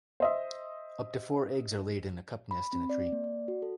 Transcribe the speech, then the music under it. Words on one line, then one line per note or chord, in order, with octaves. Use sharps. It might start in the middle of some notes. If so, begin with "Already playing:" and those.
Up to four eggs are laid in a cup nest in a tree.
C5 D#5 E5
B5
C4
D5
A#3
D5
F#4
A4